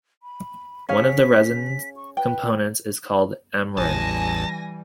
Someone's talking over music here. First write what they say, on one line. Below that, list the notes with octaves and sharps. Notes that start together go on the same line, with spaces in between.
One of the resin components is called amyrin.
B5
C#4 G#4 F5 B6
C#6
B4 G5
A1 E2 E3 G3 G#5 A5 A#6